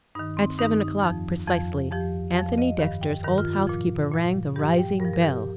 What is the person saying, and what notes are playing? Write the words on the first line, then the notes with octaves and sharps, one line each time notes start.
At seven o'clock, precisely, Anthony Dexter's old housekeeper rang the rising bell.
G2 D#3 D#4
C4
G2 D#3 D#4
D#4
F2 F3
F2 F3
F2 F3 G4
F2 F3 F5
F5
D#5
G2 D#3 F5
G5
G2 D#3 A#4
F4
F4
A#2 F3
A#2 F3
G2 F3 G4
G5
G2 A#4
F3
A#4
G4